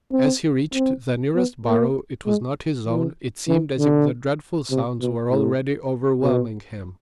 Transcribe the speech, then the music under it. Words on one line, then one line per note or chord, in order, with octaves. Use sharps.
As he reached the nearest burrow--it was not his own--it seemed as if the dreadful sounds were already overwhelming him.
C4
C4
B3
A#3
G#3
E3
E3
D3
C3
B2
A2
B2